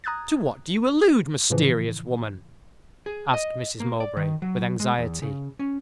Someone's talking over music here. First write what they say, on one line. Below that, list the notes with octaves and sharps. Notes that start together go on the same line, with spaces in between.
"To what do you allude, mysterious woman?" asked Mrs. Mowbray, with anxiety.
A#5 D#6 F#6 G#6 A6
A2 C#3 E3 F3
G#4
D#5
A#3
D5
D#3
F#3
G#3
E2
C#3
C#4